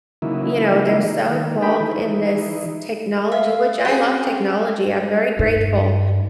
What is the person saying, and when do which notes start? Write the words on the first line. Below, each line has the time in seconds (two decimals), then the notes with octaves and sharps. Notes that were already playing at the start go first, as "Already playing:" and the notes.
you know, they're so, involved in this technology which I love technology, I'm very grateful
0.22 C#3 E3 F#3 A#3 D#4 E4
1.28 D#3 A#3
1.62 D4 G4 A#4 B4 G5 B5
1.80 E3 D#4
3.32 E5 F5
3.85 C4 C#4 F#4 G#4 G5
5.39 G2 D#4